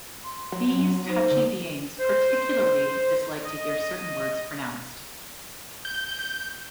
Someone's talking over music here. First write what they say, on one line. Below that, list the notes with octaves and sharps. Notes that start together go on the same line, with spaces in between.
These touchy beings particularly dislike to hear certain words pronounced.
C6
F#3
D#4 C5
D3
C5
D#5
G6